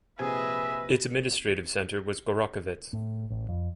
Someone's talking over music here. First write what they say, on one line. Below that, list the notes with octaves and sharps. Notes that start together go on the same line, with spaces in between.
Its administrative centre was Gorokhovets.
A#1 C3 G#4 B4 D#5 E5 G#5
A2
A1
F2